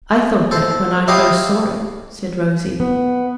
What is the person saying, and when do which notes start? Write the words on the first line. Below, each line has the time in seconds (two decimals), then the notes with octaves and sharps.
"I thought that when I first saw it," said Rosy.
0.51 A4 C5
1.08 E4 F4 G4 C#5 D#5 F5
2.80 B3